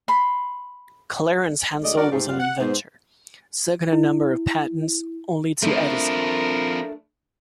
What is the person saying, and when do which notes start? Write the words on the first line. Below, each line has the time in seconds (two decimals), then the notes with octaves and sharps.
Clarence Hansell was an inventor, second in number of patents only to Edison.
0.08 B5 C6
1.82 D2 D3 F#3 G#3 D5 D#5
1.97 D4 F#4 A#4 D5
2.11 G#2 A3 G4
2.29 F#2 G3 F4 G4 F5 F#5
2.40 F#5
2.59 G#2 B3 C5
3.93 E4
5.62 F3 A3 C4 D4 E4 A#4